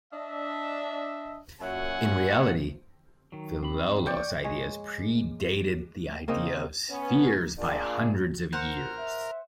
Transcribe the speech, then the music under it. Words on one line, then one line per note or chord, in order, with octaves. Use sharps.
In reality, Philolaus' ideas predated the idea of spheres by hundreds of years.
D4 D#5 E5
F#2 A#2 F#3 E5 F#5 G#5
D#3 F#3
C4 B5
D5 G5 C#6
G#3 C#5
C#3 A#3 C4 D#4
B3 C#4
A#2 A#3 D4 F4 G#4 D5
A#4 C5 F#5 F6
E5